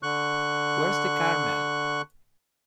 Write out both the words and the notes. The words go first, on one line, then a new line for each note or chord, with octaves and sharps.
Where's the Caramel?
D3 C#6 F#6